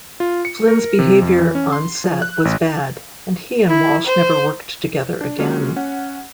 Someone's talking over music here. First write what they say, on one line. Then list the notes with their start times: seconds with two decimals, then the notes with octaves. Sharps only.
Flynn's behavior on set was bad and he and Walsh never worked together again.
0.20 F4
0.45 C#7
0.68 A#4
0.99 C3
1.22 F2
1.39 E3
1.55 C#4
1.72 C6
2.04 F3
2.22 F#6
2.45 A1
3.68 E4
4.06 C5
5.21 D4
5.39 F#3 G#3 A#3 C#4 F4 F#4
5.76 C#4 F#5